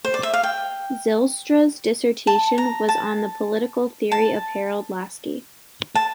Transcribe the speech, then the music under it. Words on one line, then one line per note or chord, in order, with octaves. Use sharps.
Zylstra's dissertation was on the political theory of Harold Laski.
C5
D5
E5
F5
G5
A5
A#5
A5
A5
A5